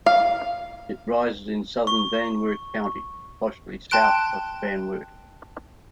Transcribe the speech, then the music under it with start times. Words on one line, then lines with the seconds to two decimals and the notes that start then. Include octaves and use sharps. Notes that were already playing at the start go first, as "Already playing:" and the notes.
It rises in southern Van Wert County, approximately south of Van Wert.
0.06 F5
1.87 C#6
3.91 G5 A5 C6 F#6 D7